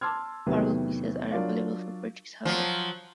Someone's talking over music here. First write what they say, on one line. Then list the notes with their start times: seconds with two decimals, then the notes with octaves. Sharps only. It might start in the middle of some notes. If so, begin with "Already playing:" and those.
Marble pieces are available for purchase, however.
0.01 A5 C6 D6 E6 F6 G#6
0.46 E2 C3 D#3 F#3 A3 B3
1.31 F#3 D4 F4 A#4 D5 F5
2.45 F3 F#3